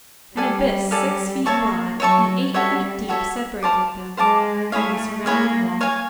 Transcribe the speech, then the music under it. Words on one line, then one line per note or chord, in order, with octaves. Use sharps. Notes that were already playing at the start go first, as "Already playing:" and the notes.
An abyss six feet broad and eighty feet deep separated them from the surrounding wall.
G3 A4 D5 F5 G#5
A4 D5 F5 G#5
A#3 C#5 E5 A5 C#6
F#3 C#5 E5 A5 C#6
G3 F#4 A4 C#5 E5
F#4 A4 C#5 E5
C5 F5 A5 D6
G#3 C5 F5 A5 D6
A3 E4 G#4 C#5 F5
A#3 E4 G#4 C#5 F5
C#5 F5 G#5